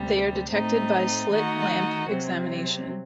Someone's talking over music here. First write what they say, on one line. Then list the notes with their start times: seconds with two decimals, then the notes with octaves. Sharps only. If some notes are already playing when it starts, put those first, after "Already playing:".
They are detected by slit lamp examination.
Already playing: D2 C3 G3
0.51 A2 A3 C4 D#4
1.30 D#3 A3 D#4 F#4
2.08 C3 F#3 C4